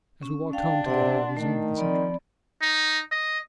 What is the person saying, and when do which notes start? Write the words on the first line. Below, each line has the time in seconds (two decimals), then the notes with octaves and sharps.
As we walked home together I resumed the subject.
0.23 C#4
0.53 D4 F5 G5
0.86 C3 D5 F#5 C6
1.37 D#3 A3
1.77 F3 C4 D5 B5
2.62 D#4
3.12 D#5